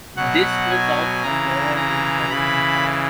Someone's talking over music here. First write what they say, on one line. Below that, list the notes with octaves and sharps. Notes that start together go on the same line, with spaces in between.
This results in lower resolving power.
B2 F#3 F#5
G#5
C#3 E3 A#5
A#5
C#3 E3 B5